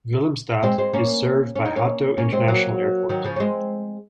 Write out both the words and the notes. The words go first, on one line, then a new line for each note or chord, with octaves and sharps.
Willemstad is served by Hato International Airport.
G#3 C4
G#3 C4
A#3 C#4
C#4
D#4
A#3 C#4
A#3 C#4
G#3 C4
F#3 A#3
D#3 F#3
C#3 F3
C#4
G#3 C4